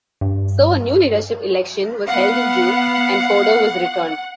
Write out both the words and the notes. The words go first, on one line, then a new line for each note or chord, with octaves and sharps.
So a new leadership election was held in June and Fodor was returned.
G2
B3 F5 F#5